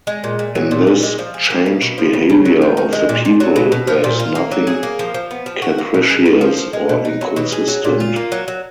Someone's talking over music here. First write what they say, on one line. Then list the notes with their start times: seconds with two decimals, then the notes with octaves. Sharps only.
In this changed behavior of the people there is nothing capricious or inconsistent.
0.07 G#3
0.24 A#2
0.39 A#2
0.55 F#3
0.71 A#2
0.87 A#2
1.03 G#3
1.18 F3
1.34 G#4
1.50 A#3
1.66 B2
1.82 B2
1.98 F3
2.13 C#3
2.30 C#3
2.45 F#3
2.62 D#3
2.77 D#3
2.93 G#3
3.09 A#2
3.25 A#2
3.40 F#3
3.56 B2
3.72 B2
3.87 F3
4.04 A#2
4.20 F4
4.35 A#3
4.51 F#3
4.67 G#4
4.83 A#3
4.99 F3
5.14 F3
5.31 B3
5.46 F3
5.62 F#4
5.78 A#3
5.94 B2
6.10 G#4
6.26 B3
6.41 F3
6.57 F3
6.73 G#3
6.89 B2
7.05 D#4
7.21 F#3
7.36 B2
7.52 G#4
7.68 F#3
7.84 A#2
8.00 F4
8.16 A#3
8.32 F#3
8.48 F#3